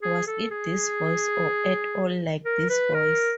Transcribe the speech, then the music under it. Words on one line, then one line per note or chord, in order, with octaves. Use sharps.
Was it this voice, or at all like this voice?
G#4
A4
G#4
A#4
B4
A#4